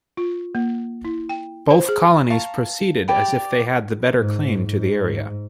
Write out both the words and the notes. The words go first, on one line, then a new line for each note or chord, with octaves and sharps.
Both colonies proceeded as if they had the better claim to the area.
F4
A#3
E4
G5
C5
G#4
F5 A5 A#5 C#6
G4 D5 G5 B5
G#2
G#2